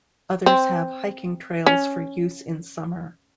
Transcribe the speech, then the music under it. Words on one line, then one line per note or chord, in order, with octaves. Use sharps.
Others have hiking trails for use in summer.
C4
C#4